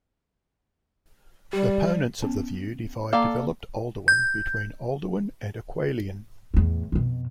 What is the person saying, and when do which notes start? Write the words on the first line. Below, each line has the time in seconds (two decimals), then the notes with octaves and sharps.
Opponents of the view divide Developed Oldowan between Oldowan and Acheulean.
1.53 G3 G4
2.22 B3 C#4
3.13 A#3 A4 D5 F5 A#5
4.08 G6
6.54 E2 A2
6.92 F2 B2